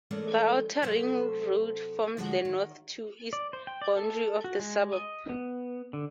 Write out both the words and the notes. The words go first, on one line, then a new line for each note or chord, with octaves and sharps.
The outer ring road forms the north to east boundary of the suburb.
E3 G#3 A3 C#4 A#4 D5
C3 F#3 A4 C5 E5
D2 D3 F3 F#3 G#3 F#4
D#3
D5
C5
G5
D5
A4
F#4
G#3
D#5
B3
D3